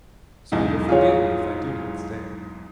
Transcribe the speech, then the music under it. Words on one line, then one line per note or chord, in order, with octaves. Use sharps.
"So you will forgive me if I do not stay."
B1 E2 G#2
F4 G#4 C#5